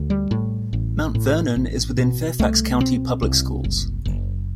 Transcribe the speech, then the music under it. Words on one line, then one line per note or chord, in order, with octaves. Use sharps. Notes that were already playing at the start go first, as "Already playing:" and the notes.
Mount Vernon is within Fairfax County Public Schools.
Already playing: D2
G3
A2
A1
A2
A1
B2
C2 A3
B2 C4
C2
F#1
F#1